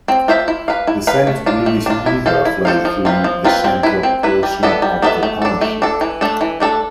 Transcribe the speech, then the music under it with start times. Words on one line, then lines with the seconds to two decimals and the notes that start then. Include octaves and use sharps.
The Saint Louis River flows through the central portion of the township.
0.08 C4
0.28 F4 C5 E5
0.48 E4
0.68 B4 F5
0.87 E4
1.07 B4 F5
1.27 A3
1.46 D4 F4
1.66 A3
1.86 D4 F4
2.06 E4
2.26 A4 C5 F5
2.45 E4
2.65 A4 C5 F5
2.85 F3
3.05 C4 F4 B4
3.24 F3
3.44 C4 F4 B4
3.64 C4
3.83 E4 B4
4.03 C4
4.23 E4 B4
4.43 G3
4.63 B3 D4 A4 E5
4.82 G3
5.02 B3 D4 A4 E5
5.23 A3
5.42 D4 A4
5.61 A3
5.82 D4 A4
6.01 E3
6.21 A3 D4 A4
6.41 E3
6.60 A3 D4 A4